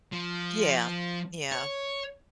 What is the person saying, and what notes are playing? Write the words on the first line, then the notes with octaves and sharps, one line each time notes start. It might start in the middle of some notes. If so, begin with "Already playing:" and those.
Yeah, yeah.
F3
C#5